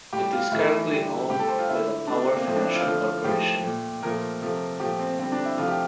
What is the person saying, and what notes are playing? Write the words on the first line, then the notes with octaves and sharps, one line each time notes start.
It is currently owned by the Power Financial Corporation.
A2 G3 G4
F4
A2 E3 A3 E4
D3 G3
A2 G3 G4
A4
C5
F4
D3 A3 E4
D3 A3 D4
D4
C4
A#3
A2 F3 A3 C4
D4
E4
F4
D3 F3 A3
A2 F3 A3 G4
A#2 A3
A#2 F3 A3 A#4
C3 F3 A3
A#2 F3 A3 G4
C4
D3 G3 C4
D4
E4
C3 F3 A3 F4
G4